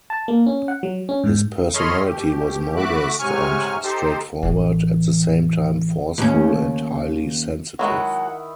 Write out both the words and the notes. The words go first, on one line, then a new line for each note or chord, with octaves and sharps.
His personality was modest and straightforward, at the same time forceful and highly sensitive.
A5
A#3
C#4
F#5
F#3
C#4
G#2
A4 C#5 D#5 B5 C6 F6
B2 G4
A3 F#4 E5 B5 D6 F#6
G#2 C3 F#3 G#5 C#6 F6
D#4 G4 A4 C5
A1 E3
D#2 C#4
D#3 F#3 G#3 E4 F#4 F#5